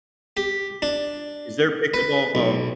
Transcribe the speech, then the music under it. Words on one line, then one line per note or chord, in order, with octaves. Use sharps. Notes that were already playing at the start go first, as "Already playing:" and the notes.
is there pickleball, um
G4
D4
B4
B1